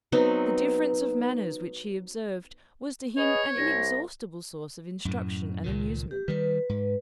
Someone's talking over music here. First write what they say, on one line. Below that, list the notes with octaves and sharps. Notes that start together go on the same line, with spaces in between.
The difference of manners which he observed was to him an inexhaustible source of instruction and amusement.
F#3 B3 C4 D#4
G#4 B4 C#5 D#5 F7
C2 A#6
F#2 A2
C#2 A#2 D#3
G4
D#3 G3 B4
G#2